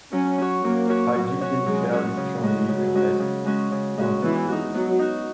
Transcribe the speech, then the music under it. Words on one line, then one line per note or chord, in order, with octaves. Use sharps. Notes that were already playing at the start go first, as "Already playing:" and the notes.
Pygidium fairly strongly and less punctured.
F#3 C#4
C#4 F#4 C#5
F#3 A#3
C#4 F#4 C#5
F#3
C#4 F#4 C#5
F#3 G#3
C#4 F#4 C#5
C#3
G#3 C#4 F#4
C#3 F#3
G#3 C#4 F#4
C#3
G#3 C#4 F#4
C#3
G#3 C#4 F#4
E3 B3
D#4 F#4
F#3 B3
D#4 F#4